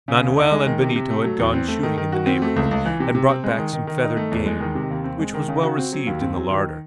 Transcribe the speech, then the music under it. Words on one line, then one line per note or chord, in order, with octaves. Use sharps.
Manoel and Benito had gone shooting in the neighborhood, and brought back some feathered game, which was well received in the larder.
C#3
D#2
D#4
G#3
D#3
C3
C3
A3
F#3
E2
C4
A3
D#3
D#3
F#4
C4
A3
C#2
C#2
E3
C3
C3
C4
G#3
D#3
D#3
D#3
D#4
A3
E2
G#3
D#3
C3
D#2
C4
G#3
D#3
C#3
F#4
C4
F#3
D#2
C4
F#3
D#3